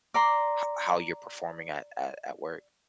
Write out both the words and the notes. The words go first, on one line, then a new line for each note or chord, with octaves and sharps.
h how you're performing at at at work?
D5 A#5 C6